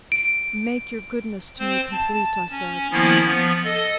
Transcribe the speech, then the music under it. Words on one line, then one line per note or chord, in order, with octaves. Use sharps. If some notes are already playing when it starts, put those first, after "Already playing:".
"Make your goodness to me complete," I said.
D7
C4 C5
A5
C#4
D#3 F3 A#3 B3 C#4 E4
F3 B3
A4 D#5